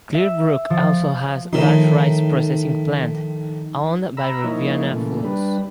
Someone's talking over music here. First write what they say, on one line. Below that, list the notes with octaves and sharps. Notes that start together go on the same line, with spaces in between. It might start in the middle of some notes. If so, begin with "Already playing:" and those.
Clearbrook also has large rice processing plant, owned by Riviana Foods.
E5
F3
A2 D#3 F3 D#4 C6
A#5 B5 E6
F3 A#3 D#4 E4 C#5
A#2 C#3 E3 A3
G3 D4 B4